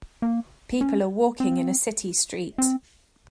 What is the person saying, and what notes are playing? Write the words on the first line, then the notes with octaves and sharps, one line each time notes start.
People are walking in a city street.
A#3
C#4
C4
C4